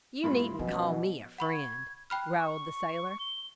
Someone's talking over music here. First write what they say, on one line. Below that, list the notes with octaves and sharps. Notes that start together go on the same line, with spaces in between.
"You needn't call me a friend," growled the sailor.
G2 A3 A#3 E4 F4 B5
B2 F3 C#4
F#5 B5 C#6
G#6
G5 B5 F6 F#6
C#6
G7